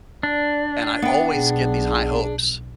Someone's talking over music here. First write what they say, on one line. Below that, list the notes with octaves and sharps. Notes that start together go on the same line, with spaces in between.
And I always get these high hopes
D4 D5
B3 G5
B1 G#4